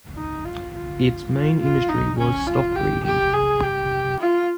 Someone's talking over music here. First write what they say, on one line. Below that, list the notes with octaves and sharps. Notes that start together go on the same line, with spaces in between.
Its main industry was stock breeding.
D#4
F4
F4
F4
F4
D#4
C#4
F4
G4
G4
G#4
G4
F4